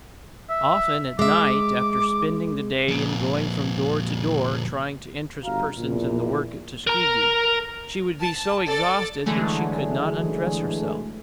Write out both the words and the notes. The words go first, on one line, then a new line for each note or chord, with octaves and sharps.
Often, at night, after spending the day in going from door to door trying to interest persons in the work at Tuskegee, she would be so exhausted that she could not undress herself.
E5
G#3 E5 D6
F2 A#2
G1 F#4 F5 A#5
A#1 E2 A#2
A#4 A#5
A5
A4 D5 A6
D3 E3 F#3 G#3 A3 G#4